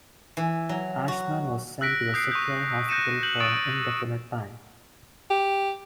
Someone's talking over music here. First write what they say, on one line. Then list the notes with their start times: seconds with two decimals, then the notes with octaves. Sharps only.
Ashman was sent to a secure hospital for an indefinite time.
0.37 E3
0.69 F#3
1.08 F#4
1.81 E6 F#6 A#6 B6 D7
2.14 D#6 G6 C7 D7
2.31 C#6 D#6 G6
2.89 F#6 G6 A#6 C#7 D#7 E7
3.23 G6 F#7
3.40 C#6 D#6 E6 A6 D7 E7
5.31 G4